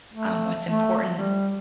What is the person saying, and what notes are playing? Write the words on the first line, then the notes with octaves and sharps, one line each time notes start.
um, what's important
A3
A3
G3